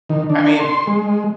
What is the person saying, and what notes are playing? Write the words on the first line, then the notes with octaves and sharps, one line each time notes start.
I mean,
D#3
D4
C6
G#3